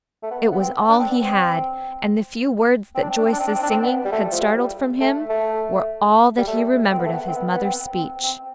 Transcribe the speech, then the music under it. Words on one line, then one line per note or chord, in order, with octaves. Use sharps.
It was all he had, and the few words that Joyce's singing had startled from him were all that he remembered of his mother's speech.
A3
B3
B3
C4
D4
C4
B3
C4
C4
D4
C4
D4
C4
D4
C4
D4
C4
D4
C4
B3
G3
A3
F3
G3
A3
A3
G3
A3
C4
B3
A3
B3
C4
B3
B3
C4
C4
C4